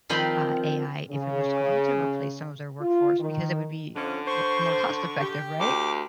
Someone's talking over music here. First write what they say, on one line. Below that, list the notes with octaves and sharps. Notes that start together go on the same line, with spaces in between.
uh, AI if it was going to replace some of their workforce because it would be l more cost-effective, right?
D#3 F3 C4 C5 D#5 B5
C#3
F4
D#3
F2 D3 C#4
C5 C#6
G4
D2 D6